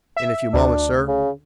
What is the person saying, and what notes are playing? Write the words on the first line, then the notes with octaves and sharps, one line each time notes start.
"In a few moments, sir."
E5
D2 D4
C#3